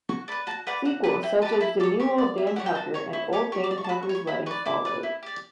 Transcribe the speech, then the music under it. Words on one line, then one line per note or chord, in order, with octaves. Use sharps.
Sequels such as "De New Ole Dan Tucker" and "Old Dan Tucker's Wedding" followed.
F#4 C#6
B4 D5 B5
F#4 A5
B4 D5 F#5
F#4 F#5
B4 D5 F#5
E4 G5
G4 B4 A5
A5
E4 B5
A4 C#5 D6
G4 C#6
D5
E4
E5
G4 C#5 F#5
G5
F#4 A5
C#5 C#6
E4 C#6
G4 C#5 D6
G4 C#6
D6
D5
C#6
A5
F#4 B5
C#6
C#5
C#6
E4 B5
B4 D5 C#6
E4 D6
B4 D5
E4
G4 D5